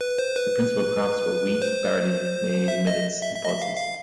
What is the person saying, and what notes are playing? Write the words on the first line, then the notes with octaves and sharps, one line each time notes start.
The principal crops were wheat, barley, maize, millets, and pulses.
B4
C5
B4
C5
E5
D#5
E5
E5
D#5
E5
F5
F5